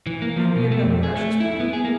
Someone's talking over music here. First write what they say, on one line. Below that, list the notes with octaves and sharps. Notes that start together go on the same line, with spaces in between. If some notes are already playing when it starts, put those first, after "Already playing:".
And we have got a precious one.'
E3
A#3
F3
B2
A3
F2
G#4
A3
E4
B3
G#4
A#3